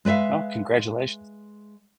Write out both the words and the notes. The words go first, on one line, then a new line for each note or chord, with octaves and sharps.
Oh, congratulations.
G#3 B4 D5 E5 F5